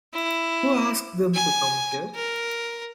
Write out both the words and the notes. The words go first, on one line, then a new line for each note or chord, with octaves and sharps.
Who asked them to come here?
E4
G#5
A#4